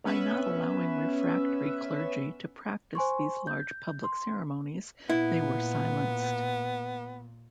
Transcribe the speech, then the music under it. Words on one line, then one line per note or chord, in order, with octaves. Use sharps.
By not allowing refractory clergy to practice these large public ceremonies they were silenced.
B3 C#4 B4 E5
C5 G#5 C6 C#6
G6
C6
A#2 B3 E4